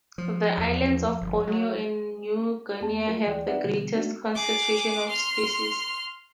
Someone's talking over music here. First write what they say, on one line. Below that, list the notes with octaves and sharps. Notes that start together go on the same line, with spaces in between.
The islands of Borneo and New Guinea have the greatest concentration of species.
F3
E2
G1
F#3
E2 A#3 C#4 A5
F#3 A3 F4 A4 A#4
D2 E3 D5 G5
C4 D#4 B4 D5 E5 F#5
B2 D3 E3 G3 B3
G#3 A3 B3 D4 D#4 F#4
G#4 D6
C6 F6